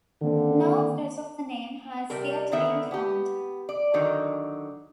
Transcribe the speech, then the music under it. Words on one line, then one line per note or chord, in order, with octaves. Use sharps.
No trace of the name has yet been found.
D3 D#3 A#3 C4
C3 G3 A#4
D3 D#3 B3 E5
B3 G4
D5
D3 D#3 F#3 D#4